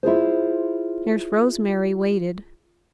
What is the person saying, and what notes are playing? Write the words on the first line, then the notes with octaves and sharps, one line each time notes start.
Nurse Rosemary waited.
E4 F4 G#4 C5